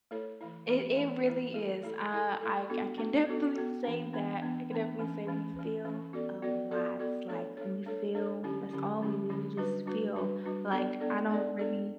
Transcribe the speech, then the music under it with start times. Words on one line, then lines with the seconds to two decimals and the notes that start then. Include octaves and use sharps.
It it really is. Uh, I I can definitely say that I can definitely say we feel a lot, like, we feel that's all we do. We just feel like, I don't really
0.11 A3 E4 A4 C#5
0.41 E3 A3 E4
0.69 E3 A3 E4
0.97 E3 A3 E4
1.27 E3 A3 E4
1.54 A3 E4 A4
1.83 A3 E4 A4
2.12 A3 E4 A4
2.41 A3 E4 A4
2.69 B3 D4 F#4 A4
2.98 B3 D4 F#4 A4
3.27 B3 D4 F#4 A4
3.55 B3 D4 F#4 A4
3.84 E3 B3 D4
4.13 E3 B3 D4
4.42 E3 B3 D4
4.71 E3 B3 D4
4.99 E3 A3 C#4
5.27 E3 A3 C#4
5.56 E3 A3 C#4
5.85 E3 A3 C#4
6.13 B3 F#4 A4 D5
6.42 B3 F#4 A4 D5
6.71 B3 F#4 A4 D5
6.99 B3 F#4 A4 D5
7.28 A3 D4 A4 C#5
7.57 A3 D4 A4 C#5
7.86 A3 D4 A4 C#5
8.14 A3 D4 A4 C#5
8.43 D3 F#3 C#4 E4 G4
8.71 D3 F#3 C#4 E4 G4
9.00 D3 F#3 C#4 E4 G4
9.29 D3 F#3 C#4 E4 G4
9.57 G3 D4 F#4 B4
9.86 G3 D4 F#4 B4
10.14 G3 D4 F#4 B4
10.43 G3 D4 F#4 B4
10.72 B3 D4 A4 D5
11.00 B3 D4 A4 D5
11.29 B3 D4 A4 D5
11.58 B3 D4 A4 D5